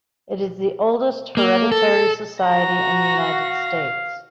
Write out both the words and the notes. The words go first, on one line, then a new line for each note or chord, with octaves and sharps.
It is the oldest hereditary society in the United States.
A#3
A4
F#4 A#5 A#6
F5